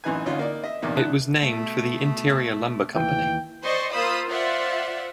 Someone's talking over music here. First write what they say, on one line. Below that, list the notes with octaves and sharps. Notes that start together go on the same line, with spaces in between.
It was named for the Interior Lumber Company.
A1 F#2 E3 D#4 B4 G#5
G#1 D2 C#4 D#4 F4
A#3 D#4 D5
D#5 E5
A#1 E2 C3 A#3 D#4
D2 D#3 E5 A5 F#6
B2 A3
D#2 E3 G5
C5 D5 D#5 C6 C#6
A#3 F4 C5 B5 D#6 E6
F4 C5 D5 E5 F#5